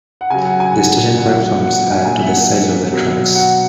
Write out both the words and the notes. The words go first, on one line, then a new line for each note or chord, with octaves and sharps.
The station platforms are to the sides of the tracks.
F#5
C#3 F#3 G#5
F#5
G#5
F#5
A#2 F#3 F#5
F#5
F#5
F#5
G#5
A#2 F#3 G#5
E5
F#5
B2 F#3
F#5